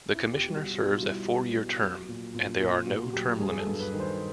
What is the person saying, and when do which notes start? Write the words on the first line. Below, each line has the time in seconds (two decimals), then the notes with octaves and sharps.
The commissioner serves a four-year term, and there are no term limits.
0.14 E4
0.22 B2 F4
0.32 G4
0.43 F#4
0.48 G3
0.56 G4
0.62 F#4
0.75 B2 F#4
0.82 F4
1.02 G3 E4
1.29 B2
1.55 G3
1.81 F#3
2.08 A#2
2.34 A#2
2.61 A#2 F4
2.87 A#2 F#4
3.13 F#3 G4
3.40 G2 G#4
3.51 G#4
3.59 A4
3.67 G2
3.80 B4
3.93 D#3
4.00 C5